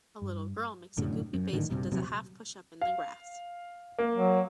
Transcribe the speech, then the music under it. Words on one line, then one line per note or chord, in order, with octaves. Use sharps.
A little girl makes a goofy face and does a half push up in the grass.
G2
F1 F#2 A2 D3
F#2
G#1 A2 D3 D#3
A#1 G2 C3
D#1 C3 F#3
F5
A#3
F#3